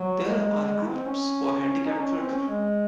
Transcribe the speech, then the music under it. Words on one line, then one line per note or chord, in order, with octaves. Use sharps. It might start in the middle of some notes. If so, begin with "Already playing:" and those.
There are groups for handicapped children.
Already playing: F#3
G#3
C4
C#4
D#4
C#4
C4
C#4
G#3